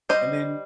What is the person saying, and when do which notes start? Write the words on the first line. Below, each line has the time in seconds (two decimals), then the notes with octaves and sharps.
And then
0.09 G3 C5 D#5